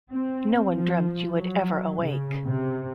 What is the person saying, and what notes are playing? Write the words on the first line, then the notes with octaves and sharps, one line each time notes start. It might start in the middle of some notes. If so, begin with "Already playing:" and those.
No one dreamt you would ever awake.
C4
F3
F#3
C#3
C3